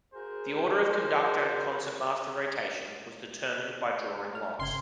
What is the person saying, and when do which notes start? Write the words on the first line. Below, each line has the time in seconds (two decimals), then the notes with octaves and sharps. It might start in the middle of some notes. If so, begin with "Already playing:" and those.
The order of conductor and concertmaster rotation was determined by drawing lots.
0.13 F#4 G#4 A#4 C5
4.35 F6
4.59 G1 C#3 C6 G#6